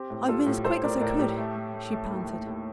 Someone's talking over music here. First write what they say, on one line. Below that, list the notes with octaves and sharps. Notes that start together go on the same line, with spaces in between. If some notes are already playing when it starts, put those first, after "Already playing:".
"I have been as quick as I could," she panted.
Already playing: C4 G4
A2
G3 F4 A4
A2
A2 A4 C5
A2 A#4 D5
A2 A#4 D5
A2 G4
A3
A3
A3
A3
D#2
A3
D#2